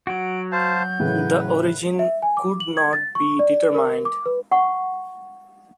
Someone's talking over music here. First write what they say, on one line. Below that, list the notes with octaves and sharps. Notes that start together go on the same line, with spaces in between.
The origin could not be determined.
F#3 F#4 D7
C5 F5 A5 G6
A2 C#3 E3 B4
E5
G#5
D6
F#7
G#6
A6
C#6
D5
A#4
D6
B4
F#5 C#6